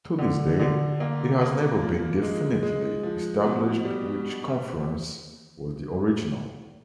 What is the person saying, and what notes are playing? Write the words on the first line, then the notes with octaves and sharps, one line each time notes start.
To this day, it has never been definitively established which conference was the original.
D3
D3
A#3
A#3
F3
G#3
G#3
F3
B2
G3